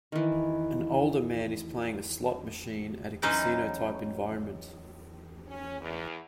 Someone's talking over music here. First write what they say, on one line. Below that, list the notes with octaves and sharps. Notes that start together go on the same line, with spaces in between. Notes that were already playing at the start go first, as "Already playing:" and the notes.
And older man is playing a slot machine at a casino type environment.
D#3 E3
E3 F#3 C#4 D#4 B4 C5
C#4
E2